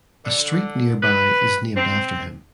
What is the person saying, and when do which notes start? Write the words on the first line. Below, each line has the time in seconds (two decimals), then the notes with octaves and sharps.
A street nearby is named after him.
0.25 D3
1.03 B4
1.76 C4